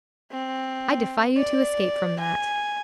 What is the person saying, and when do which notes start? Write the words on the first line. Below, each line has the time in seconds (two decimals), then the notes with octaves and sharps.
I defy you to escape from that.
0.31 C4
1.37 D5
2.20 G#5